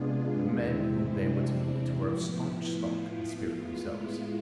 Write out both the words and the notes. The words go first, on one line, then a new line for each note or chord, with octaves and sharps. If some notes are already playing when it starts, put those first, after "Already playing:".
The men whom they were to meet were of staunch stock and spirit themselves.
Already playing: C3 G#3 B3 D4 F4 G#4
E2 C3 G#3 C4 E4
D4
A2 F3 B3 E4
F4
F4
A2 G#3 B3
E4